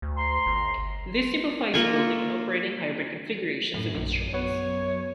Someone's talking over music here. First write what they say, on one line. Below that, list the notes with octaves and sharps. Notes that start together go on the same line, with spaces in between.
This simplifies building and operating hybrid configurations of instruments.
D2
A#5 C6
G1
A#3 F4 E5 C#6
F#2 A2
A#1
B3 C#5